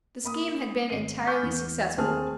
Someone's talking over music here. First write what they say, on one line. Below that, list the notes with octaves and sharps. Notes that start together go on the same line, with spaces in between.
The scheme had been entirely successful.
A#3 B5 D#6
G#1 C7 D#7
F#5 G#5 C#6 D6 F6 G6
E2 E3
D#2 A3 C4 G#4 A5 F6